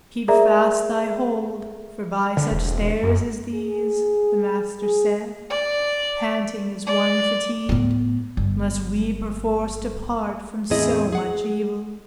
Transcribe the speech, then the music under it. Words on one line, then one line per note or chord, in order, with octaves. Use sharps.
"Keep fast thy hold, for by such stairs as these," The Master said, panting as one fatigued, "Must we perforce depart from so much evil."
G#4 A#4 D5 E5 A#5
D3
E1
F#2
G#4
G#4
D5
D5
A2 B3
G1
E2 A2 C4 E4 G#4 D#5
G#4 F#5